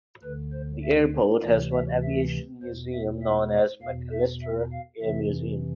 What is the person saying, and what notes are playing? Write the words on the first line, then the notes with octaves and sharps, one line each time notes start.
The airport has one aviation museum known as McAllister Air Museum.
D2 D3 B4
C5
E5
D2 C3 E3 D5
E5
E5
E2 B2 C5
E5
E5
D5
E2 B2 F5
E5
E5
F5
F2 C3 E3 E5